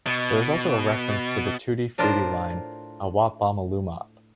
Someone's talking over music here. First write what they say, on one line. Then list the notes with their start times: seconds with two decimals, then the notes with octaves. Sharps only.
There is also a reference to the "Tutti Frutti" line "A wop-bom a loo-mop".
0.07 B2
1.98 A2 D4 F4 A#4 C5